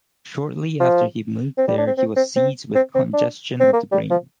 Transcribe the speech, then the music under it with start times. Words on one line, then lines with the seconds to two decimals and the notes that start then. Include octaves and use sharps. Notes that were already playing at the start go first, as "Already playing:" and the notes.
Shortly after he moved there, he was seized with congestion of the brain.
0.80 F3
1.58 C4
1.68 G3
1.78 D4
1.87 C4
1.97 C4
2.16 C4
2.36 C4
2.75 C4
2.95 C4
3.13 D4
3.60 C4
3.73 A#3
3.92 G3
4.11 F3